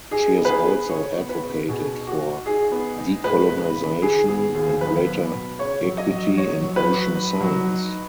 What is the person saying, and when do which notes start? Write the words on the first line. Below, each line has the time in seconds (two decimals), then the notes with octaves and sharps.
She has also advocated for decolonization and greater equity in ocean science.
0.11 D#4 G#4
0.37 B3
0.45 B4
0.50 G#4
0.64 D#4
0.90 C#3 C#5
1.16 B3
1.29 B4
1.42 C#3
1.68 B2 G#4
1.94 D#4
2.07 F#4
2.20 D#4
2.46 D#4 G#4
2.72 B3
2.98 D#4
3.24 G#3 B4
3.50 C#3
3.77 C#3
4.02 D#3 G#4
4.28 B3 G#4
4.54 D#2 G#4
4.81 F#3 B4
5.07 B3
5.33 B2
5.59 C#3 C#5
5.85 F#3
5.98 D#5
6.11 F#3
6.36 F#3 C#5
6.62 F#3
6.76 B4
6.89 F#3
7.15 D#4
7.41 F#3
7.68 D#4